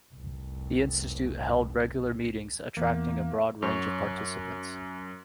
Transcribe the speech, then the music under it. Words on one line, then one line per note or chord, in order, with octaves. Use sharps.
The institute held regular meetings attracting a broad range of participants.
F1 C2
E2 A#3
F#2 C#5